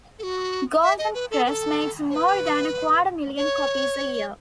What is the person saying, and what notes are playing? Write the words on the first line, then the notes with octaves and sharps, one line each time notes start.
Golden Press makes more than a quarter million copies a year.
A4
F#4
E5
D#5
B4
A4
B4
A4
C#5
B4
C#5